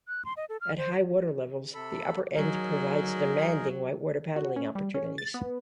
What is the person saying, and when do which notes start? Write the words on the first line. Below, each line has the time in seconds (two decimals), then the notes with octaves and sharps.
At high water-levels, the upper end provides demanding white-water paddling opportunities.
0.08 F#6
0.25 C6
0.37 D#5
0.49 A4
0.61 F6
0.78 C5
1.74 C3 A4 B5
2.35 F#3 D#4 G#4 A#4
4.36 F#4
4.56 C#4
4.75 G3
4.94 C#4
5.18 A6
5.34 B3